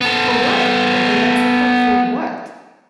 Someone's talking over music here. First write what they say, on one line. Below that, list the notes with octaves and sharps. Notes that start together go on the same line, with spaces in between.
for what, a and that's the point, for what?
B3 A4